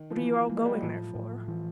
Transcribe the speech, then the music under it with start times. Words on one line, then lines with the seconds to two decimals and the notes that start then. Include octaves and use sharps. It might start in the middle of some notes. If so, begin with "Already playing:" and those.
"What are you all going there for?"
Already playing: D#3
0.10 F3
0.16 E3 A#3
0.49 A#3
0.57 G#3
0.66 G3
0.74 F#3
0.83 A2 F3
1.15 A2
1.48 E3 F3